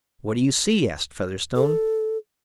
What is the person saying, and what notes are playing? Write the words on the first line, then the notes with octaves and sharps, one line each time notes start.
"What do you see?" asked Featherstone.
A4